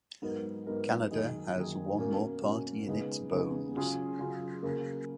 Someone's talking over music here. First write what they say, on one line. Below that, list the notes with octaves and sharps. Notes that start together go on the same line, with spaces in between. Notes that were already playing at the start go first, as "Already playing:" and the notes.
Kanada has one more party in its bones.
G#2 F#3 B3 D#4 A#4
G#2 F#3 B3 D#4 A#4
F#2 D#3 A#3 D#4 G#4
F#2 D#3 A#3 D#4 G#4
B2 A#3 C#4
B2 A#3 C#4
C#3 G#3 B3 D#4 G#4
C#3 G#3 B3 D#4 G#4
C#3 F#3 C#4 F4 G#4
C#3 F#3 C#4 F4 G#4
C#3 F#3 A#3